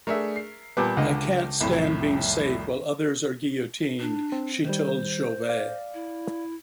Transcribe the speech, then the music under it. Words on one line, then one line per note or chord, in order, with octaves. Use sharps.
"I can't stand being safe while others are guillotined", she told Jouvet.
A3 D4 G#4 A#4 E5
C7
A#2 G3 B3 A5 D6 G6
C#2 D3 D#5
C2 F2 A2
D4
C4
D#3 G3 C5
D5 F5
E4